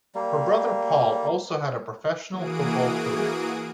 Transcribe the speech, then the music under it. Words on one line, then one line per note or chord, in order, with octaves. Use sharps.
Her brother Paul also had a professional football career.
G3 A#3
E3 A#3 F#4 G#4 D#6 D7